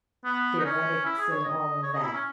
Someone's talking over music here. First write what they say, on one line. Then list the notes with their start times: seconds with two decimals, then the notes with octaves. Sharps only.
theoretics and all of that.
0.25 B3
0.59 D#4
0.65 C#4
1.05 E4
1.18 G#4
1.31 C#5
1.44 D#5
1.83 C#5
1.93 D#5
2.03 E4
2.14 C#4